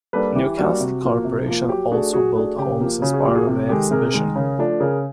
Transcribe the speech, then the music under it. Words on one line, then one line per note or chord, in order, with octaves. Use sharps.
Newcastle Corporation also built homes as part of the exhibition.
G3 A#3 D4 A4 B4
E3 G4
G3 A#3 D4 F#4
C3
F3 A#3
C3
F3 A#3
F#3 G4
A3 D4 F#4 G#4
F#3 F#4 G#4
A3 D4 F#4 G#4
C#3 G4
F3 A#3
C#3 F#4
F#4 G#4
F3 A#3 G4
F#4 G#4
C3
D#3 G#3 G4 A4
C3 G#4 A#4
D#3 G#3
C#3
F3 A3 D4
C#3 G#4 A#4